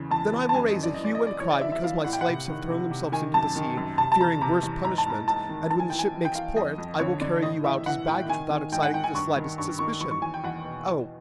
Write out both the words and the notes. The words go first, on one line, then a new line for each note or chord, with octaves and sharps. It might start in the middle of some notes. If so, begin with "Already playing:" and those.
Then I will raise a hue and cry because my slaves have thrown themselves into the sea, fearing worse punishment; and when the ship makes port, I will carry you out as baggage without exciting the slightest suspicion!" "Oh!
Already playing: E2 C#3
E2 A5
E2
A5
F#2 G#5
D#5
F#2
D5
E3 D#5
D5
E3 D#5
D5
E3 C#5
D5
E3 E5
E5
E3 F5
A2 F#5
G5
F#5
C3
D#3
C3
C3
D#3 G#5
F#2 A5
D#3
F#2
C3 A5
A5
E2 A#5
C3 A#5
E2
G#2 A#5
A5
G#2 A#5
G#2 A5
D#3
E3 A5
G#5
E3 G5
G#5
E3
G5
E3 F5
F2 D#5
F2
D3 C#5
D3 D5
A2 D#5
E3 E5
E3 F#5
A2 G5
D#3 G#5
D#3
G#2 G5
F#5
D#3 G5
G#5
G2 C#6
D#3
G2 C#6
D#3 C#6
E2 C#6
C#6
E2 G#5
G5
E2 F#5
B2
E3